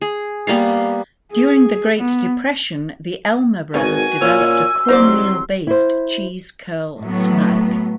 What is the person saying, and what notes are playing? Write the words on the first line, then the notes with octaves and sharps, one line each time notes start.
During the Great Depression, the Elmer brothers developed a cornmeal-based cheese-curl snack.
G#4
G3 A#3 B3 F5
G#4
B3
G#1 B2 D#3 F#4 G#5
A#2 C#4 E6
C2 F#3 D#4 G4 C5 D5 C6
E4 C5
A2 F#3 A3 B3